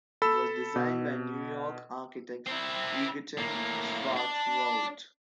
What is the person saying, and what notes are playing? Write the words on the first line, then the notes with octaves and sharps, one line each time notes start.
It was designed by New York architect Egerton Swartwout.
A4 B5 E6
B2
C4 E4
A2 A#3
D4